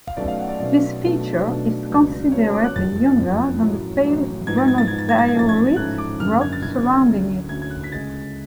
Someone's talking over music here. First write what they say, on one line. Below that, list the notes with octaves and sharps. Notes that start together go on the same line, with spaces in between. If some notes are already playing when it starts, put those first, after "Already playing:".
This feature is considerably younger than the pale granodiorite rock surrounding it.
F5
B1 B2 A3 C#4 D5
F5
F#5
D5
B1 B2 A3 C#4 D5
B1 B2 A3 D4
B1 B2 A3 D4
C#2 C#3 F#3 B3
C#2 C#3 F#3 B3 C#5
A5
D6
F#6
F#1 F2 F3 A6
F#1 F2 F3
A1 A2 F#3
A1 A2 F#3
G#2 F3 B3 G#6
A6
G#6
A6
G#2 F3 B3 G#6
A6
G#6
A6
G#6
A1 G#2 F3 A3 C#4 A6
G#6
A1 G#2 F3 A3 C#4 F#6
D6
F#1 F#2 D3 F6
G#6
A6
F#1 F#2 D3 G#6
D2 D3 F#3 C#4
D2 D3 F#3 C#4 G#6
G#6
F#6
B6
C#2 C#3 G#3 A6